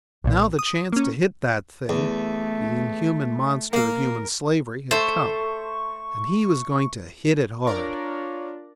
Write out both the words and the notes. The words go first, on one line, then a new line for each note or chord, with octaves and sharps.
Now the "chance to hit that thing"--the inhuman monster of human slavery--had come, and he was going to "hit it hard."
B1 A#2
D#6
A#3 C#4
E2 A3
A#3 A#4 F5
A3 A4 C5 C#6
D4 F4 A#4 C#5 D5 A#5